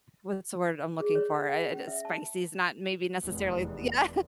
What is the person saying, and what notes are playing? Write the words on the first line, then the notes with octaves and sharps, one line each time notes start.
what's the word I'm looking for, uh uh, spicy's not maybe necessarily yeah,
G#4
C#5
F#5
G5
C#4
E5
A5
F1 E2